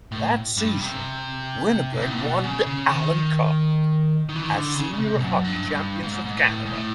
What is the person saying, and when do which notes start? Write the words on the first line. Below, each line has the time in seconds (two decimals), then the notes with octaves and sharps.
That season Winnipeg won the Allan Cup as senior hockey champions of Canada.
0.12 A2
0.57 G2
0.81 C3
1.93 G#2
2.02 A2
2.11 A#2
2.20 B2
2.43 C#3
2.67 C#3
2.89 D#3
4.29 D#3
4.36 E3
4.43 D#3
4.52 D3
4.74 C#3
4.94 C#3
4.98 C3
5.22 F#2
5.44 G2
5.68 G2
6.03 G#2
6.26 G#2
6.37 A2
6.66 G#2
6.72 A2